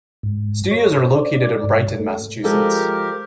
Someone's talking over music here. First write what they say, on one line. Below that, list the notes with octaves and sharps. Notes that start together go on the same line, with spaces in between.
Studios are located in Brighton, Massachusetts.
G#2
C#5
C5
D5
D5
G#2
A3
F3 G#3 G4 A4 A#4